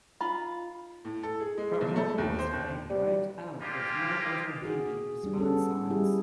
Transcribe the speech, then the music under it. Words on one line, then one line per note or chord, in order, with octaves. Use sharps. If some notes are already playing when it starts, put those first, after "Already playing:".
Her hull was flamed right out with no overhanging sponsons.
D#4 F4 B5
A2
A4
G#4
G#3
B1
A3
D#2
C5
D#2
G3
G3 G#3 A#3 F4 G4
F#4 G#4
G3 D4
B3 C#4 A4
G3 E4 G#4